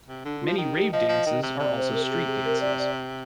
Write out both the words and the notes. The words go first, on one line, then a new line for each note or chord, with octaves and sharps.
Many rave dances are also street dances.
C3
D3 D4
F4
F3
D#3 D#4
G4
F3 D#5
F3
D#3
C3
C3 D5
C5
A#4
G4
G#4
G#4
A#4
D5
D5